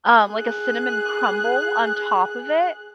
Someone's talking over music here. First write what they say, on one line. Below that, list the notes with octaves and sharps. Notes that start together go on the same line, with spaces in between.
um, like, a cinnamon crumble on top of it
G#4 F#6